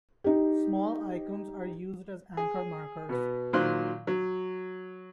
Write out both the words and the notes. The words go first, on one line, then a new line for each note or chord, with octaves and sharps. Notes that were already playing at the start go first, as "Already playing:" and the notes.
Small icons are used as anchor markers.
D#4 G4
G#4
B2 B3
A#2 D#3 F#3 C5 C6 F#6
F#3